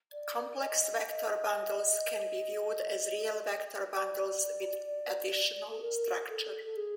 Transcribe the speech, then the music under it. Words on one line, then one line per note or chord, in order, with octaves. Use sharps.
Complex vector bundles can be viewed as real vector bundles with additional structure.
D5
D#5
D#5
D5
A4
A#4
A4
A4
G#4